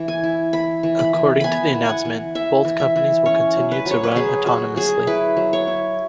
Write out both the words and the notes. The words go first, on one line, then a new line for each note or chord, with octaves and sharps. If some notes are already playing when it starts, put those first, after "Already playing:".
According to the announcement, both companies will continue to run autonomously.
Already playing: E3
G#5
E4
E3 B5
E3
B5
E3
B3 G#5 B5
E3
F#5 G#5
E3
E3 E5
E3
E5
E3
C#4 C#5
F#3
B4
F#3
C#5
B4
F#3 G#4
F#3 F#4
F#3 G#4
E4 B4
F#3
C#5
E4